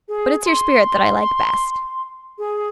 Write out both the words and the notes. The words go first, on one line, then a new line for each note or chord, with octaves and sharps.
But it's your spirit that I like best.
G#4
C6
G#4